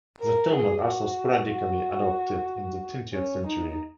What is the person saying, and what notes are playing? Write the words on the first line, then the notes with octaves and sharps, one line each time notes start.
The term was also sporadically adopted in the twentieth century.
A#4
G#4
F#4
F#4
C#4
D#4